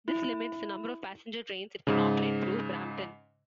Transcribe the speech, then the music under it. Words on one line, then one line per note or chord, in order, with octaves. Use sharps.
This limits the number of passenger trains that can operate through Brampton.
E4
G#2 C#3